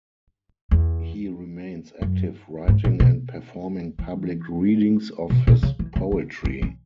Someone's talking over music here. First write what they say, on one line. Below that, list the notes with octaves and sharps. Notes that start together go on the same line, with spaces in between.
He remains active writing and performing public readings of his poetry.
E2
F#2
G#2
A#2
B2
E3
B2
A#2
C#3
E3
C#3
D#3
C#4
C#4